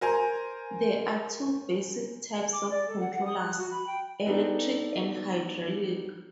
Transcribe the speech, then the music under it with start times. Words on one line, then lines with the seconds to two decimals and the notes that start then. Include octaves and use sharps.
There are two basic types of controllers, electric and hydraulic.
0.01 A#4 C5 G#5 A#5
2.53 D6
2.70 D5
2.88 A4
3.00 F#5
3.15 F#5
3.26 D#6
3.39 F#6
3.58 F#4
3.71 B5
3.87 G5
4.26 B3 D4 D#4 G4 A4